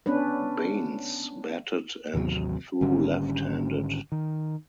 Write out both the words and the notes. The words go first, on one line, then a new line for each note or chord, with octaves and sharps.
Baines batted and threw left-handed.
B3 C#4 D4 B4
A1 D#2 C3 F#3
G#1 D3 G3 C#4
D#3